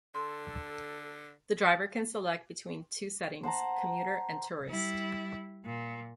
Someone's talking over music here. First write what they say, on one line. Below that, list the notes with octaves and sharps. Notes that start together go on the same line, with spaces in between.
The driver can select between two settings: "commuter" and "tourist".
D3 A4 C6
C5 F#5 A5 A#5
G3 E4
A#2